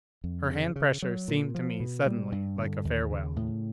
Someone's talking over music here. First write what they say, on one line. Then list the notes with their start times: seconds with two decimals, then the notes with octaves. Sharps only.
Her hand pressure seemed to me suddenly like a farewell.
0.24 F2
0.50 C#3
0.76 C#3
1.02 F#3
1.28 A#2
1.55 F3
1.80 B2
2.06 G3
2.32 G2
2.58 D3
2.85 D#2
3.11 C#3
3.36 A2